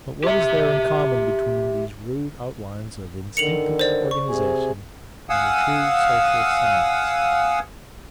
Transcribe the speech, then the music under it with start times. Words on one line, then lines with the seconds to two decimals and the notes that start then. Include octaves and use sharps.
But what is there in common between these rude outlines of instinctive organization and the true social science?
0.24 G4 E5
3.37 D3 D#3 C#7 F7 F#7
3.79 C5 D5
4.11 C#6
4.28 C3 G#4
5.30 F5 F#5 G#5 D#6 E6